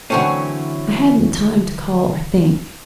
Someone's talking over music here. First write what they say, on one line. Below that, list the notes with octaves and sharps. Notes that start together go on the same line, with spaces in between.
I hadn't time to call or think.
D3 E3 F#3 A3 C4 C#4